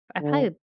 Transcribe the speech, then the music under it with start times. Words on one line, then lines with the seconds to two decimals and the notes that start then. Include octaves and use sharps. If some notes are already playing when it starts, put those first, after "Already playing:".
I probably
0.21 D3